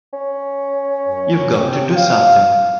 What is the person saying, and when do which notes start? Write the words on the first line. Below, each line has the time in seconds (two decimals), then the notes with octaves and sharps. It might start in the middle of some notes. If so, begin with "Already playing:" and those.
You've got to do something!
0.13 C#4
1.08 F#2
1.58 C3 G5
1.96 F5